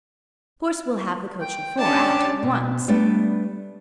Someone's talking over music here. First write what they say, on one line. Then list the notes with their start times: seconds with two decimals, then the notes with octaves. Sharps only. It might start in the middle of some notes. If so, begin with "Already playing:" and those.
Of course we'll have the coach-and-four out, at once.
1.41 G5
1.78 C#4 D4 G4 D5 A5
2.43 B2
2.88 G3 A3 B3 D4 B4 D5